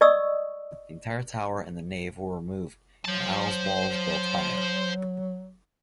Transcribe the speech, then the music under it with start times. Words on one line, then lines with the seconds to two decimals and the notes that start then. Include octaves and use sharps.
The entire tower and the nave were removed and aisles walls built higher.
0.01 D5 D#5 C#6 D#6 E6
3.05 F#3 C5 A5